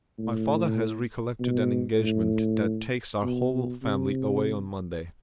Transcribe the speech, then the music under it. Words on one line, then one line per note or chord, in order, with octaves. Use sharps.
My father has recollected an engagement that takes our whole family away on Monday.
A2
B2
A2
B2
B2
C3